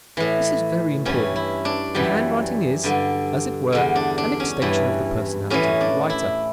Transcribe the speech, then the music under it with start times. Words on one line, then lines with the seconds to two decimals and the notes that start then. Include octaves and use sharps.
This is very important; for handwriting is, as it were, an extension of the personality of the writer.
0.17 A2 E3
1.05 G2 E3 C#4
1.36 E4
1.65 D4
1.95 F#2 E3 G3
2.84 G2 D3
3.72 E2 D3
3.96 D4
4.18 D4
4.40 C#4
4.62 G2 E3
5.50 A2 E3 C#4
5.81 D4
6.10 E4